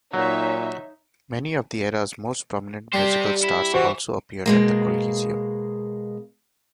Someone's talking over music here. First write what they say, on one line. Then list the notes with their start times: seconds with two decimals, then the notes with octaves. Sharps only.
Many of the era's most prominent musical stars also appeared at the Coliseum.
0.14 A#2 F#3 D#4 C#5 E5
2.94 G3 G4 C5
3.43 E4
3.74 E3 F#4 C5
4.46 B2 G#3 A#3